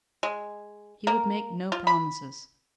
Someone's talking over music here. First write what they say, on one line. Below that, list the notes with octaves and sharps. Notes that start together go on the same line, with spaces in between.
He would make no promises.
G#3
A#3
F4
B5